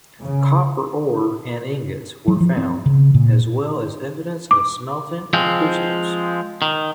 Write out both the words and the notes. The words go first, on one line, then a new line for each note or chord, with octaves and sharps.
Copper ore and ingots were found as well as evidence of smelting in crucibles.
C#3
F#3
F3
C4
C#3
A#2
D6
F3 G#3 C4
D#3